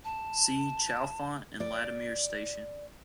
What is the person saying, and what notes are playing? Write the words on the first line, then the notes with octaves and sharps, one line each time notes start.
See Chalfont and Latimer station.
A5
D5